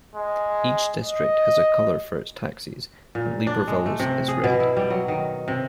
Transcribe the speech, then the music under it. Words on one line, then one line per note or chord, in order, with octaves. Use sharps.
Each district has a colour for its taxis and Libreville's is red.
G#3
D#5
A#2
D4
G#3
A3
C3
G#4
B2
E4
G3
F#3
D#3
C3